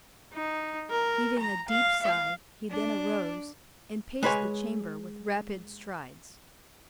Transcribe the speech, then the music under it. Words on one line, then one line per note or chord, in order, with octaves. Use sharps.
Heaving a deep sigh, he then arose, and paced the chamber with rapid strides.
D#4
A#4
A#5
F5
F5
D4 D5
G#3 B4 C#5 G#5